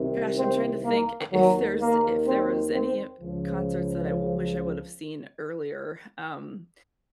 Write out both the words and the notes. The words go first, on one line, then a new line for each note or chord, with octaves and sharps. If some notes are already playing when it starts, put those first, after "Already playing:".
gosh, I'm trying to think i if there's if there was any e concerts that I w wish I would have seen earlier, um,
Already playing: C2 C3 D#3
C4
A#3
D#2 D#3 F#3
A#3
C4
C4
C#2 C#3 F3